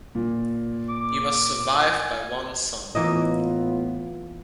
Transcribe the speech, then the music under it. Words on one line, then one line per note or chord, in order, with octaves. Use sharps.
He was survived by one son.
A#2
D6
G#5
A2 E3 A#3 B3 F4 D#5